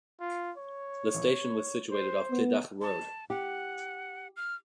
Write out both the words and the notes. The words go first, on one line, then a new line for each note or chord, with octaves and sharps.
The station was situated off Clydach Road.
F4
C#5
C5
B3
A5
G4 F#5
F6